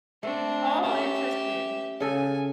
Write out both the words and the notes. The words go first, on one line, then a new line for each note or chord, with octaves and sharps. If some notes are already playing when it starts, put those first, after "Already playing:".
Oh! Interesting.
A3 C4 D4
C#4 G4 E5
C#3 A4 G#5